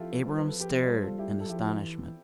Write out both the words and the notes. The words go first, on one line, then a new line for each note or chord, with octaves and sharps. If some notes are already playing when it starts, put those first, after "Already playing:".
Abram stared in astonishment.
Already playing: F3 E4 F4 G4 A4
G3 C5
B4
A4
F3 G4 B4
D5
G3 A4 C5
F4 A4
E4 G4
A4
F3 E4 G4
E3